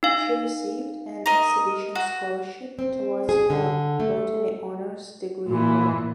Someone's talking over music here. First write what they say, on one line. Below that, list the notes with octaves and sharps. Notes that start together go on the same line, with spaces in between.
She received an Exhibition Scholarship towards her botany honours degree work.
D#4 F5
A#4 D#5
F#4
C4
G#4
D3
A3
A#2 E3